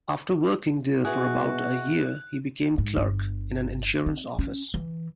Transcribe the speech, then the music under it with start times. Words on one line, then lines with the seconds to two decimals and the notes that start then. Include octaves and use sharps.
After working there for about a year he became clerk in an insurance office.
1.05 B2 B3 E4 F#4 G#4 F#6
2.78 G#2
2.97 G1
4.06 C4
4.39 C#4
4.74 E3